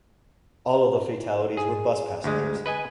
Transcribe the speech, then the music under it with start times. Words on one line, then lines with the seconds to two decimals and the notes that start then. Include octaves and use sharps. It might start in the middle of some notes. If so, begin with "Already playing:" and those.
All of the fatalities were bus passengers.
1.57 G#4
2.24 D2 G#3
2.66 B4 D#5 G#5